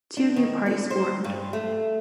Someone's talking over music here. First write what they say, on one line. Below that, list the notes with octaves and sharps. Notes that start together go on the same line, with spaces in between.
Two new parties formed.
D4
D#3
D5
C5
G2
A3